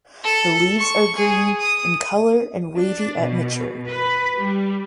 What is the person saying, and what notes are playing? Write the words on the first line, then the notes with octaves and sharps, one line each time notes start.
The leaves are green in color and wavy at maturity.
A4
C#6
G#4
D#6
D4
B2
B4
G3